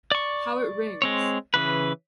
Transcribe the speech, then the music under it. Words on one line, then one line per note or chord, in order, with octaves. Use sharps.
How it rings!
D5 C#6
G#3 C4 C#5
C#3 E3 B4